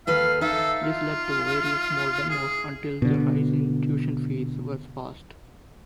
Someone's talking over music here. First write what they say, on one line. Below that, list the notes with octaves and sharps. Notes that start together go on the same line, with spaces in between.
This led to various more demos until the rise in tuition fees was passed.
D#2 A4 B4 F5
D#4 A4 E5 F5
F4
G#4
B2 D3